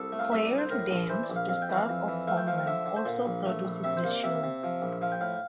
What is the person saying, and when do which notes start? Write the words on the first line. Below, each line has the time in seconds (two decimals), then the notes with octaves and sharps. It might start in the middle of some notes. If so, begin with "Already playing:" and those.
Claire Danes, the star of "Homeland", also produces the show.
Already playing: C2 A4
0.12 A3
0.19 F5
0.32 C2 E5
0.45 D5
0.52 C2
0.58 C5
0.70 A2 A#4
0.91 A#1
1.09 E3 C5
1.23 D5
1.30 A#1
1.36 F5
1.49 F2 F5
1.62 G5
1.69 E3 F5
1.89 F2
2.08 E3
2.28 A3 F5
2.37 G5
2.47 F3 F5
2.57 F5
2.67 D3 E5
2.86 D3
2.96 C5
3.05 A#2 D5
3.26 A#1
3.46 A3
3.65 A#1
3.84 C3 E5
3.97 C5
4.04 A#3
4.11 D5
4.24 C3 E5
4.43 C3
4.63 F3
4.82 A#1
5.01 F3 F5
5.12 G5
5.21 A2 F5